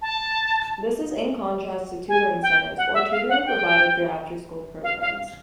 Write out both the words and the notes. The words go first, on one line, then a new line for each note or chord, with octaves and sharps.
This is in contrast to tutoring centers or tutoring provided through after-school programs.
A5
G#5
G5
F#5
E5
F5
F#5
G5
F5
F5